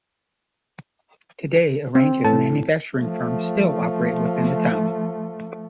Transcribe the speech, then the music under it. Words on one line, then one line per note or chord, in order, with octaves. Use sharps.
Today a range of manufacturing firms still operate within the town.
C4
A2 E3 A5
F3 A3